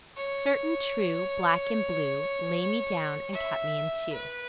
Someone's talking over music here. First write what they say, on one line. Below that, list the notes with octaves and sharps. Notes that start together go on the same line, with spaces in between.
Certain, true, Black and blue, Lay me down and cut me in two.
C#5
E5
B4